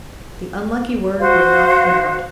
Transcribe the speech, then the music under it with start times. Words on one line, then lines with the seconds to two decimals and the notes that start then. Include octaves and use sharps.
The unlucky word would not come out.
1.19 F#4 C5 F5